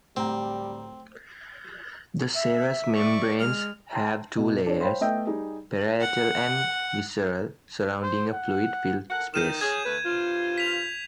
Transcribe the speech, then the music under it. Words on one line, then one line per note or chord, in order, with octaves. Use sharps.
The serous membranes have two layers, parietal and visceral, surrounding a fluid filled space.
D1 G3 A3 C4 G4 A#5
E5
D5 C#6
G#3 F6
G5 A5 A#5 C6
B2
D4 C#5
C5 C#5 F5 G5 B5 C6
A3 B3 D#5 E5 G5
G3 D#4 G#4
F#5
C5
F#5
A4 A#4 F#5
D#3 G6 D#7 E7
C#4 G#4 G#6
D2 A3 B4
G2 C3 F4
B6 F7